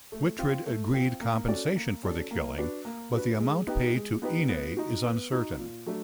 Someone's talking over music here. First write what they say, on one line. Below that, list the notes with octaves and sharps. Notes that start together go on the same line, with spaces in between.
Wihtred agreed compensation for the killing, but the amount paid to Ine is uncertain.
A3
C4 F4
A3
C4 F4
A#3
C#4 F#4 A4 D5
A#3
C#4 F#4 A4 D5
A#3
D4 F#4 B4
A#3
D4 F#4 B4
G#3
B3 D#4 G4 B4
G#3
B3 D#4 G4 B4
B3
D#4 F#4
B3
D#4 F#4
A#2
F#3 A3 D4